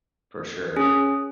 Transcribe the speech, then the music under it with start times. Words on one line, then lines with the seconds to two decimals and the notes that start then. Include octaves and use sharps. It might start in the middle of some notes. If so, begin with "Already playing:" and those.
For sure.
0.76 C#4 G#4